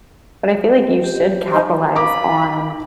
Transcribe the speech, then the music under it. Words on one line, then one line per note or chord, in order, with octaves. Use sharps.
but I feel like you should capitalize on
G4
D#4 C5 C6
F4 A#5 B5 D6